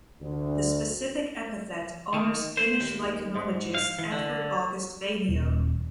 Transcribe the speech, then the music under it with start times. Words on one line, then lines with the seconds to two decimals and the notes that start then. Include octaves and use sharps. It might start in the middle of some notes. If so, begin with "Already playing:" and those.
The specific epithet honours Finnish lichenologist Edvard August Vainio.
0.21 D2
2.14 D#3
2.57 C5
2.81 D#2
3.36 G#2
3.75 F5
3.99 E3
4.12 D3
5.29 D#1